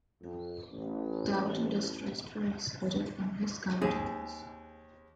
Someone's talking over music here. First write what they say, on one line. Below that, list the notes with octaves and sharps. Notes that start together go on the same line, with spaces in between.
Doubt and distrust were exhibited in his countenance.
F2
A1
D#2 C4 G#4